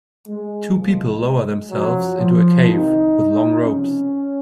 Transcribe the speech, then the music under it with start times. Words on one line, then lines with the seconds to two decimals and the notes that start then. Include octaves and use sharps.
Two people lower themselves into a cave with long ropes.
0.28 G#3
0.75 C2 A#2 F3 G#3
1.70 F#2 F3 F#3
2.18 F3
2.66 C2 C3 D#3 D#4
3.61 C#2 C3 F3 C#4